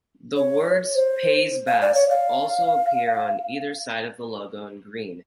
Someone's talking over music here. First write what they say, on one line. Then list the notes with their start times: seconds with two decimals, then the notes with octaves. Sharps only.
The words Pays Basque also appear on either side of the logo in green.
0.36 C#5
0.95 C5
1.67 F5
1.82 D5
1.95 C#5
2.10 F5